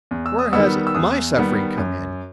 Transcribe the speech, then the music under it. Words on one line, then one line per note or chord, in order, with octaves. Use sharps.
Where has my suffering come in?
E2
E6
D#6
D#3 G3 B3 E6
E6
E2 D#6
D#3 G3 B3
F#2